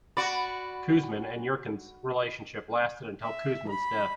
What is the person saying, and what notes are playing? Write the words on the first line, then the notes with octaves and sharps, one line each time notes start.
Kuzmin and Yurkun's relationship lasted until Kuzmin's death.
F#4 D5 B5
E5
B5